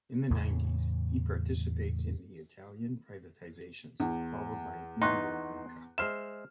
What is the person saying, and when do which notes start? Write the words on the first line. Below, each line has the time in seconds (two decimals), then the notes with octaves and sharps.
In the nineties, he participates in the Italian privatizations followed by Mediobanca.
0.30 E2 A2 C#3 E3
4.00 E2
5.02 E3 B3 D#4 C6 C#6 F#6
5.98 G#3 C5 E5 F6 E7